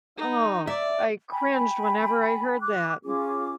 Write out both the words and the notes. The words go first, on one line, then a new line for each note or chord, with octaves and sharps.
Oh, I cringed whenever I heard that.
D#4
D5 E5
G5 G#5 B5
D6 F#6
C#4 F4 G#4 D6